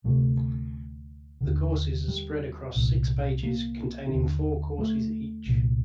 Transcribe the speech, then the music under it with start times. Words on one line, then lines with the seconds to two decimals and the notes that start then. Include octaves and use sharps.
The courses are spread across six pages, containing four courses each.
0.04 D2 C3 A3
1.41 D#2 D3
2.08 G3
2.75 C2 A#2
3.43 A#3
4.10 D#2 D3
4.78 A3
5.46 C2 A#2